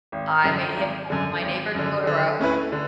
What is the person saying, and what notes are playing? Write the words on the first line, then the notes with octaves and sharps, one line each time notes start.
I made him watch My Neighbor Totoro.
G#1
F#2 D3
G#1
F#2 D3
G#1
F#2 D3
D3
A3 C#4 E4 B4
D3